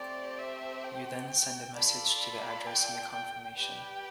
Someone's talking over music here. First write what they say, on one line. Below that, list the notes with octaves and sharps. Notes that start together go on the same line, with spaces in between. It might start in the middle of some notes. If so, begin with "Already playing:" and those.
You then send a message to the address in the confirmation.
Already playing: A3 C4 G4 C5 D5
E5
G5
F4 A4 D5 B5
B5
G5
G5
G4 B4 D5 G5